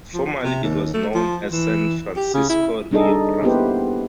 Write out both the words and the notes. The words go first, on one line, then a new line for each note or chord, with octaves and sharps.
Formerly it was known as San Francisco Rio Bravo.
F3
C3
D#2
A3
F3
E3
G4
C#3
E4
G3 D4 D#4 G#4 A4 D#5
A#3 B3 E4 G4 B4 C5